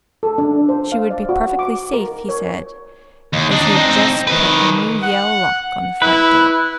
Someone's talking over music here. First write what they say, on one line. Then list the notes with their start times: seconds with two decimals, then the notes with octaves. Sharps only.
She would be perfectly safe, he said, as he had just put a new Yale lock on the front door.
0.23 A4
0.38 D4
0.69 C5
0.92 F5
1.10 D5
1.29 F#4
1.59 D6
1.93 A#4
2.29 C#5
3.33 D#2
3.51 D4 D#4
3.75 C4 D#4
4.27 D#3 B4
5.03 F#5
6.02 E4 B4